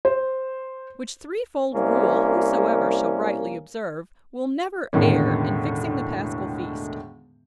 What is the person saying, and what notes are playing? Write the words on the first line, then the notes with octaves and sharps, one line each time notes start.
Which threefold rule whosoever shall rightly observe, will never err in fixing the Paschal feast.
C5
C2 A#3 C#4
E1 A2 D3 D#3 C#4